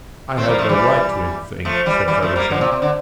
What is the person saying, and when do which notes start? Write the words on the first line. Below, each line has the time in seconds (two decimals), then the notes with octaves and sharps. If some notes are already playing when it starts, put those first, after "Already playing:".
"I had no right to anything," said Feversham.
0.37 A3 C4
0.48 G3 A#3
0.59 F3 A3
0.69 E3 G3
1.65 F3 A3
1.86 E3 G3
2.08 E3 G3
2.22 F3 A3
2.36 G3 A#3
2.51 D3 F3
2.61 A#2
2.72 C3
2.82 D3